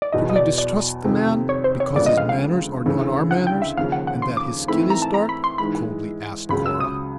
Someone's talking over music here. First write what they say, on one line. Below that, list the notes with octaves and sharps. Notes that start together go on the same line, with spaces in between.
"Should we distrust the man because his manners are not our manners, and that his skin is dark?" coldly asked Cora.
D5
E2 B2 F#3 B3 D#5
D#5
D5
D5
F2 C3 D#3
C#5
C5
C#5
D2 C#3 F3 G#3 B3 D5
D#5
F5
F5
D2 C#3 E3
F#5
G5
E5
D#2 C#3 F3 F5
F#5
F#5
C6
D6
G#2 E3 A3 C4 E4 B5
A#5
A5
A#5
B5
C6
G#2 E3 G#3 B5
C#2 C#3 F#3 B5
E6
D#6